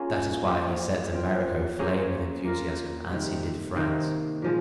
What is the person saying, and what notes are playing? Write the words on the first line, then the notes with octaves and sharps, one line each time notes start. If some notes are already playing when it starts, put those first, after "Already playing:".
That is why he sets America aflame with enthusiasm, as he did France.
Already playing: A#3 C#4 F4 G#4
F3 C4 F4
F3 C4 F4
A#3 C#4 G#4 C5
A#3 F4 A#4
C3 D#3 G3
C3 D#3 A#3
A#2 F3 G#3